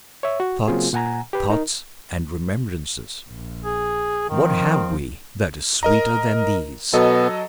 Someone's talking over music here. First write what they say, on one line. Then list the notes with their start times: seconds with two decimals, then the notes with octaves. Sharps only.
Thoughts, thoughts and remembrances, what have we that is sweeter than these?
0.23 C#5 E5
0.40 F#4
0.68 C#3 F#3 A#3 C4 F4 G#4
0.93 A#2 F#5 G#5 A#5
1.33 G4 B4
1.50 D#4 A#4
3.29 A#1
3.64 G#4
4.29 D#3 F3 C4
5.83 A#4 D#5 A#5
6.93 B2 F#3 B3 A4 D#5